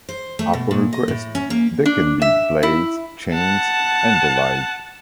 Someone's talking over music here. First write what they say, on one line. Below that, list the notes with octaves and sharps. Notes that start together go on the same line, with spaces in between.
Upon request, they can be blades, chains, and the like.
C5
A3
B2
A#2
D#5
A2
C#4
A#3
D4
E5
E4
F#5 A5